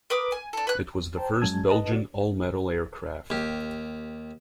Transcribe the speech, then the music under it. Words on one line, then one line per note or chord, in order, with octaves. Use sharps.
It was the first Belgian all-metal aircraft.
A#4 B4 D6 D#6
G#5
D4 A4
B4 F#6
C5 G5 A5 A#5
F#2 F#3 G#3 C#4 A5 G#6
B4 D#5 A5
F#4 D5
D#2 G4